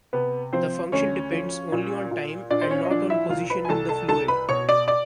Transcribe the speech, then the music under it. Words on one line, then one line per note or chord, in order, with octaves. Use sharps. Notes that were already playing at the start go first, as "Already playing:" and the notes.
The function depends only on time and not on position in the fluid.
C3 B3 B4
F3 C4 C5
D2 C#4 C#5
F3
A#2
A#2
A#2 D4 D5
C5
C#4 C#5
D#5
F3 D4 D5
E4 E5
C2 F4 F5
B4 B5
G#5
C2 A4 A5
A4 A5
C2 A4 A5
B4 B5
B2 C#5 C#6
D5 D6
D5 D6